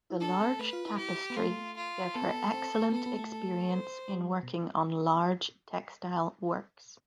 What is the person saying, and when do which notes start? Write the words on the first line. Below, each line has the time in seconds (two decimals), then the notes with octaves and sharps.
The large tapestry gave her excellent experience in working on large textile works.
0.10 E4
0.21 D4 A4
0.40 C4
0.59 A3 B4
0.73 F4
0.85 E4
0.98 G4
1.30 B3
1.37 A3 F4
1.77 F4
2.15 B3 A4
2.22 C4
2.29 B3
2.54 C4
2.92 B3 A4
3.06 B3
3.19 A3
3.31 A4
3.70 C5
4.09 G3
4.43 B2